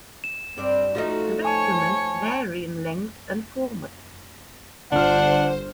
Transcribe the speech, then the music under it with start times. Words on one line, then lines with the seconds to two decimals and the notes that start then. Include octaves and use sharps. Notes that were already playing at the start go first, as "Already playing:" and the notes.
The documents vary in length and format.
0.24 E7
0.58 G2 C4 D5
0.95 F3 A3 D#4 F#4
1.45 C#5 G#5 A5
4.92 G1 D3 D4 F4 C5 F#5 F6